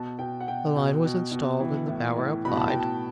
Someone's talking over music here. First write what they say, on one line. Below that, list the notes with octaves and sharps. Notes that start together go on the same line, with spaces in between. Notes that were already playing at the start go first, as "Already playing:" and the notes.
The line was installed and the power applied.
Already playing: B2 A5
B2 G5
F#5
B2 G5
B2
B2
B2
E3
A2
A2
B2 B5
A5
G5
B2
A5